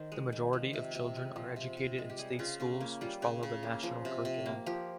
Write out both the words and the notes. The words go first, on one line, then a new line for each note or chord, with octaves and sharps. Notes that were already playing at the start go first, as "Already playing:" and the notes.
The majority of children are educated in state schools which follow the National Curriculum.
Already playing: D#3 C5
G#3
D#3
F3
C3
C3
G#3
F3
C3
C3
G#3
G4
G3 G#4
C#3 F4
C#3 C#4
A#3 C#4
G3 F4
C#3
C#3
A#3
F3
C3
C3
A#3
F3 G4